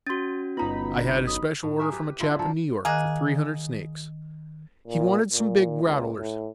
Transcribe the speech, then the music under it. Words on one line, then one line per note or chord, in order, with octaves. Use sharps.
I had a special order from a chap in New York for three hundred snakes--he wanted some big rattlers.
C#4 F#4 C6 A6
G1 B2 D#4 F4 A#5 B5
B1 D#6
A2
G#4 A#4 B4 E5
G4 B4
D3 C4 E4 F4
F3 A#3 A4 C5
D#3 A#3 G#4 D#5 F#6
A#2
A#2
C#2
A2